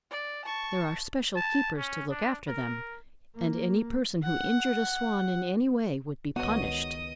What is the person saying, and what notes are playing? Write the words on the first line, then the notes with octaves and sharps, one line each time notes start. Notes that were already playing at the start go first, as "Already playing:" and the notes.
There are special keepers to look after them, and any person who injured a swan in any way would be punished.
D5
A5 C#6
A5
C#4
D4
A#4
A#3
F#5
C#2 D#3 B3 F#4 C#5 D#5 D#6